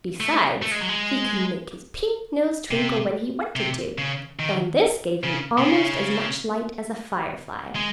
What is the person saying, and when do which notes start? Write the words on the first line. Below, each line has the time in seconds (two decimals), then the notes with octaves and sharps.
Besides, he could make his pink nose twinkle when he wanted to, and this gave almost as much light as a firefly.
0.20 A3
0.62 A3
0.71 G#3
0.80 F#3
0.89 G#3
2.71 C3
3.56 C3
3.98 C#3
4.39 D#3
5.24 C#3
5.58 C3
5.65 C#3
7.76 G#3